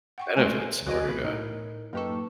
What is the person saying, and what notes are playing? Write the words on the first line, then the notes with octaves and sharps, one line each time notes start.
benefits in order to,
F#5 G5 C#6
G#3 A3 F#4 D5 G#5 C6
C2 F#4 G#4 D#5 G#5 F#6 D7
A#2 E3 A3 B3 B5
A2 D#4 A#4
F#2 A#3 D#4 G4 A4 B4 G5 C#6